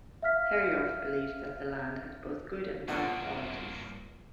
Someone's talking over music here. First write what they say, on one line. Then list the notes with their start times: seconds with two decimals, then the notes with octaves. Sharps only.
Herjolf believed that the land had both good and bad qualities.
0.23 E5 F5 F6 B6
2.88 G2 A#3 B3 C#4 F4 F#5